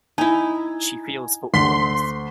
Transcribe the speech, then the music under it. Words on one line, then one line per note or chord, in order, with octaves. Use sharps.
She feels for all of us.
D#4 E4 G#5
D2 C6 B6